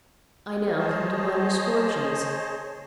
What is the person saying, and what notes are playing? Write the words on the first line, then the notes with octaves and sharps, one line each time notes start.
I now come to my misfortunes.
G#4 C5 C#5 D#5 A5